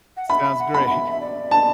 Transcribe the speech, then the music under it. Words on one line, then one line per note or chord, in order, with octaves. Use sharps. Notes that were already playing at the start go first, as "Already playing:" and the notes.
Sounds great.
F#5
E5 B5
F#5
B5
E5
E5
D5
A5